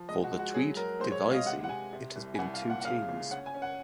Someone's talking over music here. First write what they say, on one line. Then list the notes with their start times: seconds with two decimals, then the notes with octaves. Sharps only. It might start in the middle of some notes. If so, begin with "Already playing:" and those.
For the Tweede Divisie it has been two teams.
Already playing: F3
0.09 G#3 D#5
0.24 F#4
0.32 G#3
0.39 F#4
0.54 F#3 G#4
0.77 F#3 A#4
1.00 G#3 C5
1.12 C#5
1.23 G#3
1.30 F5
1.34 D#5
1.46 C3 F#5
1.64 F#5
1.69 C3 G#5
1.93 C3
2.16 C2
2.35 G#5
2.38 C2 F#5
2.54 F5
2.62 A#2
2.70 F#5
2.80 F#5
2.85 C#3 F5
3.09 C#2
3.31 C#4 F#5
3.46 G#5
3.54 C#4
3.62 F#5